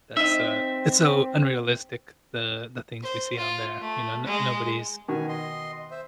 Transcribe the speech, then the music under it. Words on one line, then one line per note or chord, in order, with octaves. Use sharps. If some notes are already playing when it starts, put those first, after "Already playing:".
that's, uh, it's so unrealistic, the the things we see on there, you know? No nobody's
C4 D#4 D#5 E5
C5
F4
A3
G#3
B2 D#3 G#5
D#5 C6
C5 E5